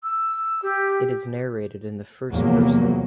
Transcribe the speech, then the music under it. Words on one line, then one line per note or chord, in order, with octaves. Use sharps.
It is narrated in the first person.
E6
G4
E2 C3 F3 F#3 A#3